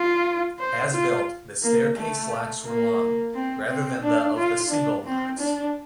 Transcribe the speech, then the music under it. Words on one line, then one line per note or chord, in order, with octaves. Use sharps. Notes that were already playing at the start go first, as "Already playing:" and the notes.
As built, the staircase locks were long, rather than the of the single locks.
Already playing: F4
C5
F4
A#3
A3
A#3
C4
C4
D4
F4
D4
C4
D4